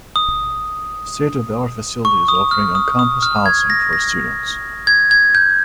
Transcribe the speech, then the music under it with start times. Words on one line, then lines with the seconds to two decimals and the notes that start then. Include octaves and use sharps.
State of the art facilities offering on-campus housing for students.
0.16 D#6
2.05 C#6
2.28 D#6
2.51 F6
2.75 D#6
2.99 D#6
3.23 F6
3.46 G#6
3.70 A#6
3.93 A#6
4.87 G#6
5.11 G#6
5.35 G6